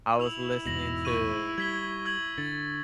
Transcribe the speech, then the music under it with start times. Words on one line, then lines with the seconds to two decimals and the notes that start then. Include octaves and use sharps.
I was listening to
0.20 E4 E6 F7 F#7
0.66 E2 G#2 B2 A#6 F#7
1.05 C#6 E6 D#7
1.58 G3 G#6 B6 G7
2.05 E6 G#6 F#7
2.38 D3 A6